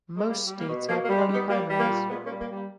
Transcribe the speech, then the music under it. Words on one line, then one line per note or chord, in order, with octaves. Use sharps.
Most states have party primaries.
G#3
G3 A#3
G3
A#3
B2
B2 A#3
A#3
G3
G#3
G3 B3 D#4
G3 A#3
G3
A#3
A#2
A#2 G#3 B3
A#3 C#4
G3
A#3
G3 A#3